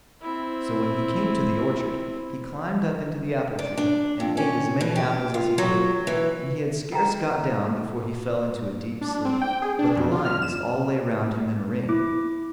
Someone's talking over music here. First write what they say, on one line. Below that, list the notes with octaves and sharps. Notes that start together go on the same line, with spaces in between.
So when he came to the orchard, he climbed up into the apple tree and ate as many apples as he could, and he had scarce got down before he fell into a deep sleep; but the lions all lay round him in a ring.
C4 E4
D5
D4
F2
C#4
B2
G4
F4
F#3
E3
F#5 G5 A#5
D4
C4
G5
G#4
D4
F2
F4
F6
E7
E4 D6